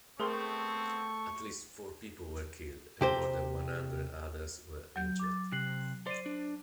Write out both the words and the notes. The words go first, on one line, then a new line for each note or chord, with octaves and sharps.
At least four people were killed and more than one hundred others were injured.
A3 B3 C4 G#4 A#4 C6 C#6
C3 G4 C5
F#3 G6
D6 A6
C3 F#6 C7 F#7
C5 D5 C6 C7 D#7
D4